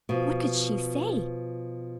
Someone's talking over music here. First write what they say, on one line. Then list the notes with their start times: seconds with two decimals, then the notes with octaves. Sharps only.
What could she say?
0.09 B2 F3